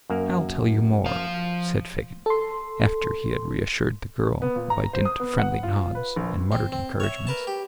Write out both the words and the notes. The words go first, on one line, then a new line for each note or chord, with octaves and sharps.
'I'll tell you more,' said Fagin, after he had reassured the girl, by dint of friendly nods and muttered encouragements.
F#2 A#3 A#4
F3 F5
A4 C6
B3
A#2
A#5
C5
D#6
B3
F#5
F4
B4
A#1
C4
C4
C#5 E5
A#4 B4 A5
G4